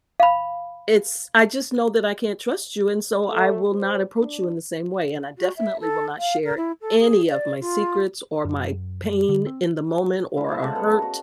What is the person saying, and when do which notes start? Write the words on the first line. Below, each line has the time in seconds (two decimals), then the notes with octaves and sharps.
it's I just know that I can't trust you, and so I will not approach you in the same way, and I definitely will not share any of my secrets or my pain in the moment or a hurt.
0.20 F5 B5
3.28 A3
3.71 C5
4.19 D4
5.38 F#4
5.57 E5
5.80 A4
6.18 F5
6.44 A#4
6.57 E4
6.81 A4
6.99 G#4
7.26 D5
7.61 F4
8.45 F#2
9.29 D3
9.46 C4
10.37 G#3 E4 F4
10.50 F4 A4 C5 E5
10.62 G#3 A3 C#4 F#5
10.75 B3 A4
10.88 A#4 D#5
11.02 F#4